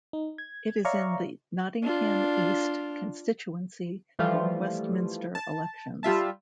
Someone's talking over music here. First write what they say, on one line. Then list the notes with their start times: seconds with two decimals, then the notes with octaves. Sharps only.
It is in the Nottingham East constituency for Westminster elections.
0.13 D#4
0.38 G#6
0.85 C#5 D5 E5 F5 A#5 C#6
1.82 D4 F4
4.19 E3 F3 G3 A3 F4
5.35 A5
6.03 G3 F4 E5 A5